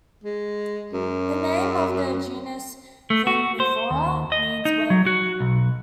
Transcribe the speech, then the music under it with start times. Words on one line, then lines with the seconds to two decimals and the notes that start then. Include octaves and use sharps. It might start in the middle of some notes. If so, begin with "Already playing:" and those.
The name of the genus "Vermivora" means "worm-eating".
0.24 G#3
0.93 F#2
3.10 A3
3.27 F#4
3.60 C5
3.90 D#2
4.32 D#5
4.65 D#4
4.90 F#3
5.06 F#4
5.40 B1